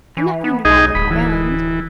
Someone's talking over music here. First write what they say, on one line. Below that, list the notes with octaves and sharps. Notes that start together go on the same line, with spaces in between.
I'm not going to rattle you round.
E3
B3
B1 D#4 G#4 D#5
D1 B5
E3